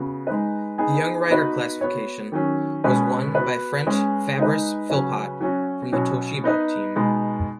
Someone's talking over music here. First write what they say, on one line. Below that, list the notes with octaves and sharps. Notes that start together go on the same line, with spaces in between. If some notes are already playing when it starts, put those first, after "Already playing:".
The young rider classification was won by French Fabrice Philipot from the Toshiba team.
Already playing: C#3 B3 F#4
G#3 D#4 B4
B3 D#4 G#4
B3 D#4 F#4 B4
B3 F#4 C#5
D#3 F#3 C#4
B2 G#3 C#4 B4
B3 F#4 B4
G#3 C#4 B4
G#3 D#4 B4
C#3 F#3 C#4 B4
F#3 C#4 F#4
B2 F#3 C#4 F#4 C#5
B3 D#4 B4
B2 G#3 B3 D#4